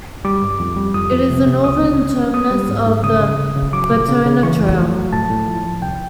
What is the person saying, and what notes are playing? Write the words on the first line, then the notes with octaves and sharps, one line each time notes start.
It is the northern terminus of the Batona Trail.
G3 D6
G2
F2
G3
F2 D#6
F2
C3
C3
C#2 D#6
C#2
C#4
C#4
B3 D#6
G3
G#2
G#2
C#3 D#6
C#3
C#3
C#3
F#3 D6
A#2
C#3
C#3
E3 C#6
F2
A3
F#3
A2 A5
A2
F3
F3
C2 G5